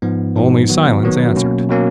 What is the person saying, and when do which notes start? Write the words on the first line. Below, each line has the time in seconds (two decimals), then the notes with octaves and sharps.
Only silence answered.
0.02 G#2 F3 B3 D#4
0.36 G#2 F3 B3 D#4
0.69 D#3 F#3 B3 F#4
1.03 D#3 F#3 B3 F#4
1.36 B2 F#3 A#3 C#4
1.69 B2 F#3 A#3 C#4